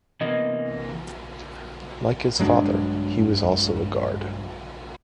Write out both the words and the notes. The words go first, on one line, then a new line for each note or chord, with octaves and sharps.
Like his father, he was also a guard.
C3 E3 A#3 B3 D#5
G2 F#3 G#3 D4